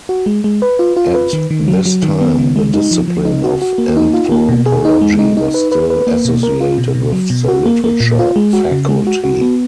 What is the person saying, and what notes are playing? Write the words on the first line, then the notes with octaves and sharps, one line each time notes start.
At this time the discipline of anthropology was still associated with the literature faculty.
F#4
G#3
G#3
B4
F4
F4
B4
D#3
D#3
F#3
F#3
D#3
B3
D#3
G#3
D#4
F3
F3
D#4
F#4
F#4
A#3
D#4
F4
A#3
B2
G#4
D#4
G#3
D#4
D#4
B4
B4
B4
A#3
B2
A#4
F4
B2
B2
F#3
B2
F#4
A#3
A#3
A#2
F4
G#3
F#4
C#3
G#3
F#4
F#4
B3